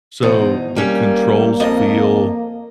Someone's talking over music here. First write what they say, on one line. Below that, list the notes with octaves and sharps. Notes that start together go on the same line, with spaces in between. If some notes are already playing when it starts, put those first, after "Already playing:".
so the controls feel
E2 B2 D#4 C5
G3 A#3 C#4
F2 F3 D#5